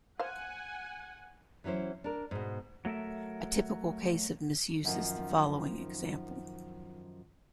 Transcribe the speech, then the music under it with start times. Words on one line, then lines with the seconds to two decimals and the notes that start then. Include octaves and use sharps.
A typical case of misuse is the following example.
0.19 C5 F5 F#5 G#5
1.64 E3 F#3 C#4 E4 C5
2.04 D4 A#4
2.31 G#2 B2
2.85 F#3 A3 A4 A#4 E5
4.85 F#2 D#3 F3